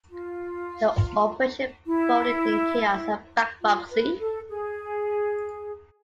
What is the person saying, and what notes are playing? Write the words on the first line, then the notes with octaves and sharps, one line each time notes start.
The operation folded in chaos and bankruptcy.
F4
E4
F4
B4
A4
G#4